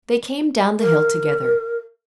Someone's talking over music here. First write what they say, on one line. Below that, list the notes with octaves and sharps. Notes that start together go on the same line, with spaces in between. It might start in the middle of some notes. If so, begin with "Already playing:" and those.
They came down the hill together.
A#4